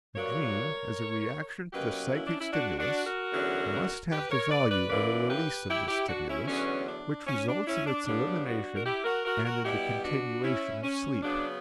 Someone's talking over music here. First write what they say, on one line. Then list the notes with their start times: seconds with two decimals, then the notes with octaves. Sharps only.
The dream, as a reaction to the psychic stimulus, must have the value of a release of this stimulus which results in its elimination and in the continuation of sleep.
0.15 G2 F#3 A#3 A#4 C#5
1.73 B2 F#3 A#3 C#4 G4 B4
2.12 C#4 E4
2.26 D4
2.40 E4
2.52 D4 F#4
2.78 D4 F#4
3.05 F#4 A#4
3.32 E2 D3 F#3 C#4
4.10 G4 B4
4.30 A#4 C#5
4.50 B4 D5
4.70 B4 D5
4.89 F#2 E3 A#3 C#4 B4 D5
5.29 G4 B4
5.69 E4 G4
5.88 E4 G4
6.08 D4 F#4
6.28 C#4 E4
6.47 E2 D3 F#3 B3 C#4
6.88 D4
7.27 C#4
7.47 D4
7.66 C#4 E4
7.86 D4
8.06 C#3 G3 B3 D4
8.46 D4 F#4
8.73 A#4
8.85 E4 G4
9.04 F#4 A#4
9.24 F#4 A#4
9.44 F#4 A#4
9.63 B2 G3 B3 E4 G4
10.03 D4 F#4
10.43 C#4 E4
10.83 C#4
11.22 C#3 F#3 B3 D4